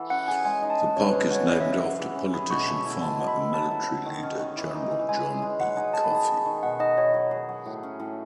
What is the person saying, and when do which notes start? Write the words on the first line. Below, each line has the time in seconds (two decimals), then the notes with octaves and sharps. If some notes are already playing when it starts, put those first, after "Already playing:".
The park is named after politician, farmer, and military leader General John E. Coffee.
Already playing: E3 F#4 A4
0.10 C#4 F#5
0.28 G#4 G#5
0.44 G#3 G#5
0.62 D#4
0.70 A5
0.79 G#3
0.96 C#3 C#5
1.09 B4
1.14 C#4
1.30 F#4 C#5
1.48 E3 D#5
1.61 E5
1.65 C#4
1.73 E5
1.83 G#4 F#5
1.99 E3
2.16 C#4
2.33 G#4 B5
2.51 B2 C#6
2.68 A3
2.85 E4
3.02 G#3 A5
3.19 F#4
3.28 B5
3.36 A4
3.54 F#3 A5
3.71 E4
3.88 F#3
4.06 D#3
4.23 C#4
4.39 D#3
4.57 E3
4.74 D#4
4.91 E3
5.09 G#3 G#5
5.26 G#4
5.42 G#3
5.60 F#3 F#5
5.76 D#4 G#5
5.94 G#4 A5
6.04 B5
6.11 D#3 A5
6.29 B3
6.46 D#3
6.63 B2 F#5
6.79 D#4 D#5
6.98 B2 C#5
7.14 F#3
7.31 G#4
7.49 F#3
7.66 A2
7.83 C#4
8.00 A2